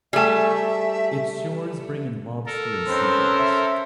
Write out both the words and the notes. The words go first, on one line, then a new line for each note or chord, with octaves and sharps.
Its shores bring in lobster and sea glass.
G3 A3 G#4 E5 G#5
A4 A#4
C4 C#4 D#4 B4 C5
E5